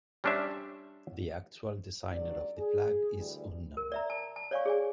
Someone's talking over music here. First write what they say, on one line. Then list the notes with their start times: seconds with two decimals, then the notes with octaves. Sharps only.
The actual designer of the flag is unknown.
0.24 G3 C#4 D4 C5 E5
2.12 F#1 G2 F#3 D5
2.57 G#4
3.16 D2 D3 E3 G3
3.77 A#4
3.92 D5 E5 A#5
4.10 A5
4.36 A5
4.51 C#5 D5 F5 G#5 C#6
4.66 G#4 D5 G#5